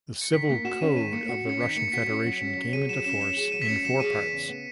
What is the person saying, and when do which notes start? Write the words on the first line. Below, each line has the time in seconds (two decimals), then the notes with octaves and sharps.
The Civil Code of the Russian Federation came into force in four parts.
0.21 C#7
0.33 D#3 B6
0.49 A#3 B6
0.65 F#4 E7
0.81 C#4 D#7
0.96 D#3 D#7
1.12 A#3 C#7
1.28 F#4 C#7
1.45 C#4 C#7
1.60 D#3 B6
1.77 A#3 C#7
1.92 F#4 B6
2.09 C#4 C#7
2.25 F#3
2.41 C#4
2.57 F#3
2.73 G#4 D#7
2.89 F#3 E7
3.04 C#4 E7
3.21 F#3 E7
3.37 G#4 E7
3.52 F#3 D#7
3.62 B6
3.68 C#4 C#7
3.85 F#3 E7
4.00 G#4 D#7
4.17 E2
4.32 C#3
4.49 B3